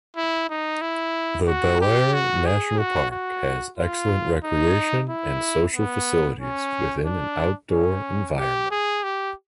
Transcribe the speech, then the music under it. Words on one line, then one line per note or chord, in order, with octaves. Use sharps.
The Belair National Park has excellent recreation and social facilities within an outdoor environment.
E4
D#4
E4
F#4
G4
F#4
G#4
F#4
F#4
F4
D#4
E4
B3
C#4
D4
C#4
G4
G#4
G4